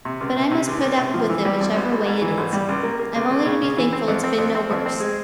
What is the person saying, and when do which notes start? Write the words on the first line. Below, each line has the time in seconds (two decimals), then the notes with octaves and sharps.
But I must put up with it whichever way it is--I've only to be thankful it's been no worse.
0.05 C3
0.21 C#2
0.36 C3
0.51 C3
0.67 C#2
0.82 C#2
0.98 C3
1.14 F3
1.29 E3
1.45 G3
1.60 G#1
1.76 G#1
1.92 G#1
2.06 G#2
2.22 E3
2.37 G#1
2.53 G3
2.69 C#2
2.83 A#3
2.99 A#3
3.16 C#2
3.30 C#2
3.46 C#3
3.62 C#3
3.77 E3
3.93 C4
4.08 F2
4.24 C4
4.38 F2
4.55 C4
4.70 F2
4.86 C4
5.00 G#3